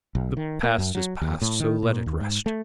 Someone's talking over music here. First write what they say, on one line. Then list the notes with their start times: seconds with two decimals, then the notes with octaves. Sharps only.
The past is past, so let it rest.
0.15 B1
0.37 D#3
0.63 A#3
0.78 F#2
0.95 F#3
1.21 D#2
1.42 A2
1.60 D#3
1.83 A#2
2.06 D#2
2.20 G#2
2.46 A3